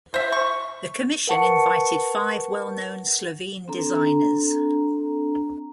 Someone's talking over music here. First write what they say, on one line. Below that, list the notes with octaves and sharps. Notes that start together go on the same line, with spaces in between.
The commission invited five well-known Slovene designers.
C5 E5
C#6
A#4 B4 F#5 A5 C#6 C#7
C4 D4 A4 A#5